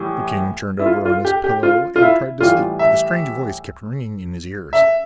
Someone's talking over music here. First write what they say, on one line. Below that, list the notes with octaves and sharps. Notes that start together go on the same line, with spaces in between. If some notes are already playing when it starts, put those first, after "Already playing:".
The king turned over on his pillow and tried to sleep, but the strange voice kept ringing in his ears.
Already playing: A2 E3 G3
E4
F4
F4
G4
G4
F4
F4
E4
A2 E3 G3 F4
E5
E5